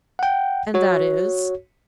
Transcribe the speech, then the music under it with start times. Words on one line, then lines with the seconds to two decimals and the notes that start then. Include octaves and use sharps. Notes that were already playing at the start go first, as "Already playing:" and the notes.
"And that is?"
0.19 F#5 G5
0.74 F#4 C#5